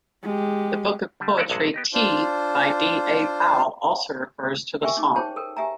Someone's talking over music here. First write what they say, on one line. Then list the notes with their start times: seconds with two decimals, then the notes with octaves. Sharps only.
The book of poetry "Tea" by D. A. Powell also refers to the song.
0.23 G#3 G4
1.20 D3 G3
1.37 F#3 C#4 F#4 A4 A#4 D5
1.50 A#1 G2 C3 G#3 F#5 A5
1.74 B3 G4 D#5
1.94 D4 F4 C5
4.82 G4 A#4 E5 G5 G#5 C#6
4.97 C#4 D#4 D6
5.16 G#4 C5 C#5 G5 A5
5.36 A4 A#4 G5
5.57 G4 E5 G#5 A#5